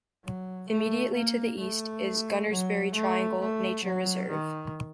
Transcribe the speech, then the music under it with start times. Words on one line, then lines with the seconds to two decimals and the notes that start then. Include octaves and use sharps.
Immediately to the east is Gunnersbury Triangle nature reserve.
0.24 F#3
0.69 A3
1.14 A#3
1.59 A3
2.50 F#3
2.94 A3
3.39 A3
3.84 F#3
4.30 D#3